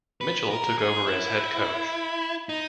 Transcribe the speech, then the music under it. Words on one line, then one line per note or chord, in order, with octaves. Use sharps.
Mitchell took over as head coach.
B4
A#4
G#4
E4
D#4